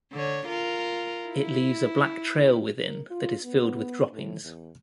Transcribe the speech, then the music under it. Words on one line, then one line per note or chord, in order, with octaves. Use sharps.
It leaves a black trail within that is filled with droppings.
D3 C#5
F4 A#4
E4
A#4
F4
B3
A2
E2